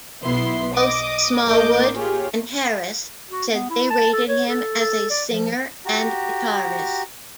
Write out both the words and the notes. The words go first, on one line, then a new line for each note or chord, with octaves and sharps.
Both Smallwood and Harris said they rated him as a singer and guitarist.
B1 B3 E4 C6
D#5 D6 D#6
A1 A#3 A#4 D#5 D6 G6
F4 G4 G#4 C#5
F#4
B3
E4
A5
A4
C#5
A4
A4
D5
F3
F#4 G4 A#5